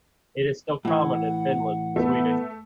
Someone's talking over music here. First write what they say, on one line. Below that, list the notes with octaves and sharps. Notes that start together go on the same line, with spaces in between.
It is still common in Finland Swedish.
A2 E3 F#5
A3 B3